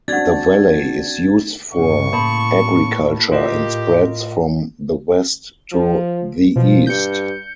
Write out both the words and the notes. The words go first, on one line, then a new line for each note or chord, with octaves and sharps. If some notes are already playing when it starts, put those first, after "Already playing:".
The valley is used for agriculture and spreads from the west to the east.
C4 D4 F#4 D5 F#5 G#6 A6
G2 C#3 C#6
A2 A#3 A5 B5
F4 G4 A#4 D#5
F3
B2 F3
G2 G6 C#7